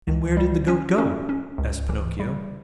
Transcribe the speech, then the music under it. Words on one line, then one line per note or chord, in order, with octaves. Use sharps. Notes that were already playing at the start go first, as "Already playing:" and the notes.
"And where did the Goat go?" asked Pinocchio.
C#2
G3
C#4
C#4
C#4
C#2
E3
G3